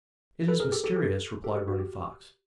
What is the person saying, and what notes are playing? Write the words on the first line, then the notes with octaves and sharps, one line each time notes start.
"It is mysterious," replied Running Fox.
A4 B4
G#4 A#4
G4 A4
G4 A4
G4 A4
G4 A4
G4
F#4
G4